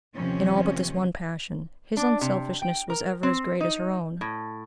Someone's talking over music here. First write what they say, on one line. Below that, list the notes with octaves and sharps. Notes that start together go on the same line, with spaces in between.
In all but this one passion his unselfishness was ever as great as her own.
D#2 C3 D#3 F3 C#4
D4
C3
G5
A#4
C4
D#4
A2